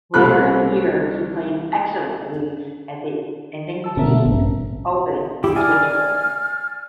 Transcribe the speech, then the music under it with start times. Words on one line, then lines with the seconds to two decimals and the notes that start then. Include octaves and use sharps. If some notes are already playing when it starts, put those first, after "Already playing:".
Later in the year he played excellently at the Engadine Open in Switzerland.
0.14 C2 C3 A3 A4 B5 F#6
3.84 A5 E6
3.97 B2 D3 A#4 E5
4.26 A1 G2
5.44 E4 G4 G#4
5.56 D5 G#5 E6 F6